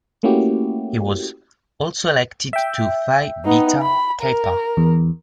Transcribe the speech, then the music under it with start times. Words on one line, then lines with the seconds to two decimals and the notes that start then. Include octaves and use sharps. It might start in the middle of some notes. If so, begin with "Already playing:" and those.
He was also elected to Phi Beta Kappa.
0.23 A3 A#3 C#4 E4 F#4 G4
2.53 E5 G5
3.45 B3 D#4
3.82 B5
4.21 A#4
4.77 E2